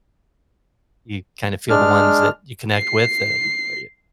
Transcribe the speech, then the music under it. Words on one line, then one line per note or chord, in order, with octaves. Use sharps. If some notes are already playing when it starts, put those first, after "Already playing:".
you kinda feel the ones that you connect with that or you
G#3 D4 F6
C7